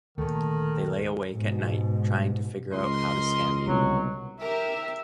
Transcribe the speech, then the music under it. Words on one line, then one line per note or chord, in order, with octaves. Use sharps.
They lay awake at night trying to figure out how to scam you.
D2 A#2 D#3 A3
G#2 B2
C#2 A#4 D#5 C6
C2 B2 F#3
G4 A#4 E5